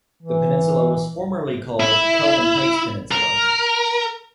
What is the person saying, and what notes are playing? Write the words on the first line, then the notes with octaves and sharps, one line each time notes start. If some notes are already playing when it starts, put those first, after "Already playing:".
The peninsula was formerly called Kelvin Heights Peninsula.
E3
E4
A#4